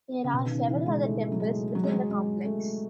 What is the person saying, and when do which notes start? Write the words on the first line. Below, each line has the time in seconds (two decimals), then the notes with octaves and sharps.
There are several other temples within the complex.
0.24 C#3
0.33 B2
0.46 D#3
0.51 C#3
0.69 E3
0.86 G#3
1.05 A3
1.32 F#3
1.40 G#3
1.75 F#3
1.83 G#3
1.92 F#3
2.11 G#3
2.45 A3